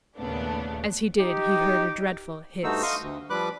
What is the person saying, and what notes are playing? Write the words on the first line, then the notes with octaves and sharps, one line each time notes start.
As he did he heard a dreadful hiss.
D#2 A#2 C#3 A3 B3 D4
D#4 G4
G2 A3 D#4 F#4 C5 E6
D#5 F5 C6 C#6 D#6
D2
F3 G3 B4 B5 D6 F#6